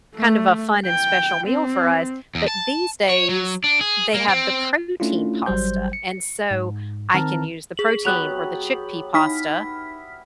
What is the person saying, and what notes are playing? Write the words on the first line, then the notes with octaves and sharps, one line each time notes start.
kind of a fun and special meal for us, but these days, they have the protein pasta, and so I can use the protein or the chickpea pasta,
A3
G5
C4
E2
A5
C#5
F#3
D4
G#4
A#3
C4
A3 C#4 D4 E4 F4
G#1 F#3 G3 C5 G6
C#7
G#2
D#3 C4 A5 A#5 F6
G#4 F#7
F#3 B3 G4 F#6 F7
D#4 E4 F6 B6